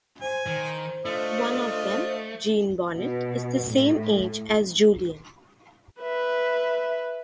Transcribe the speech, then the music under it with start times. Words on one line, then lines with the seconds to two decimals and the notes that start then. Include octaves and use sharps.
One of them, Jean Bonnet, is the same age as Julien.
0.21 C5 G#5
0.47 D#3 C5
1.05 A3 D4 F4 D#5
2.94 B2
3.68 A2
6.01 B4 E5